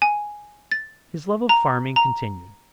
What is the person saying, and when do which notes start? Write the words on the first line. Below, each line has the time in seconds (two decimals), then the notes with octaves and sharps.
His love of farming continued.
0.02 G#5
0.72 A6
1.49 A#5
1.96 A#5